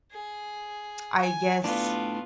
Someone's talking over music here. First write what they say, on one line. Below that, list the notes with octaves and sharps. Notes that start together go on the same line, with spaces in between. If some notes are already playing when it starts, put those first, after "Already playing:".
I guess,
G#4
G#5
A2 B3 D4 F4